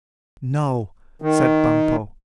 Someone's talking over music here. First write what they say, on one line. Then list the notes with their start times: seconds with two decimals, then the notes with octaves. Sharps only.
"No," said Bumpo.
1.22 D#3